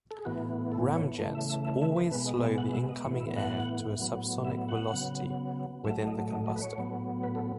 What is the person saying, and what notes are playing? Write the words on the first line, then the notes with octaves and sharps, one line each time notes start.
Ramjets always slow the incoming air to a subsonic velocity within the combustor.
A4
G#4
A2 E3 B3 F#4
A4
C#5
C#3 E3 A3
E5
E5
E5
E5
B4
B2 G#3 B3 B4
D#5
E5
F#5
E5
D#5
A2 E3 B3 C#5
E5
F#5
A2 F#3 B3
E5
F#5
C#3 F#3 B3
A2 F#3 A3 E5
D#5
D#5
D#5
B4
C#5
A2 F#3 B3
B4
A4